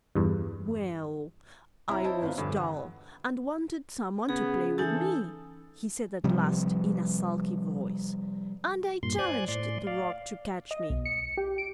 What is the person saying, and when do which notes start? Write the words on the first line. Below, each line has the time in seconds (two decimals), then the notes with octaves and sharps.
'Well, I was dull, and wanted someone to play with me,' he said at last, in sulky voice, 'and I challenged the rock to catch me.
0.15 E2 G2
1.88 C2 E4 C#5 A#5
2.04 E4 C5 C#5 D#5 A5
2.22 G#1 B3 D#4 F4
2.37 E2 G2 B2 D3
2.56 F#5
4.29 C#3 B3 G#4
4.78 E3 D#4 A4 G#5 A5 G6 A6
6.24 C3 F3 G3
9.03 G2 A#2 C6
9.19 C5 D5 G#5 F#6 G#6
9.48 A2 D5 C6
9.87 D5 F5
10.71 D#5
10.90 B1
11.05 C#7
11.37 G4
11.58 D7